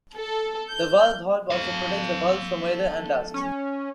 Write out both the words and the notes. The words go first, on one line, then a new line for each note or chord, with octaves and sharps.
The valve hall also protects the valves from weather and dust.
A4
G6
A4 F5
C#4